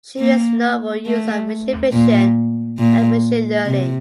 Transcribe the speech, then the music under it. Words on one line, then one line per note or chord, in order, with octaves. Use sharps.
She makes novel use of machine vision and machine learning.
A#3
A3
A#2
A#2
C3